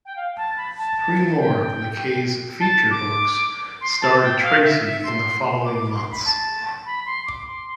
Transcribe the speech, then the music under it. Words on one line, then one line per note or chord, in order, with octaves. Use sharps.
Three more of McKay's Feature Books starred Tracy in the following months.
G5
F5
A5
B5
A5
G5
A5
D6
C6
A5
G5
F5
E5
E5
C6
D6
D6
C6
B5
A5
B5
C6
D6
C6